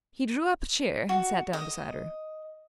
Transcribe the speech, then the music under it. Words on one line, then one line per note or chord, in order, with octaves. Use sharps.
He drew up a chair and sat down beside her.
F#4
D#5